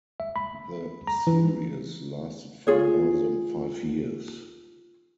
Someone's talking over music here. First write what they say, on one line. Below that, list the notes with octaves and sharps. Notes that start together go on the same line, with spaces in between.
The series lasted for more than five years.
E5
B5
A#5
E3
F4 G#4 C#5